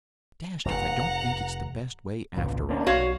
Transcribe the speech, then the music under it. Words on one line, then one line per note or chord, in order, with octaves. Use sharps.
Dashed if I don't think it's the best way after all.
F1 F#5 A#5
G#1 C#2 A#2
A#3 C#4 D4
B1 F#4 C#5 F5